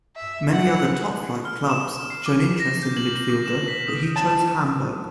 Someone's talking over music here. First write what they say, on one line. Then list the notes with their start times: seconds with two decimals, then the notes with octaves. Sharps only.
Many other top-flight clubs had shown interest in the midfielder but he chose Hamburg.
0.16 E5
0.52 F#5
1.45 F6
1.70 E7
2.10 C7
2.26 D6
2.60 A#6
2.83 G6
2.97 F#7
3.30 D6
3.46 E7
3.68 B6
3.88 D#6
4.16 A5